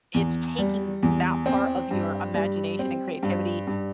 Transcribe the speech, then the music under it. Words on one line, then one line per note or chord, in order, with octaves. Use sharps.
it's taking that part of your imagination and creativity
E2
G3
E2
C4
G2
G3
C4
G2
G2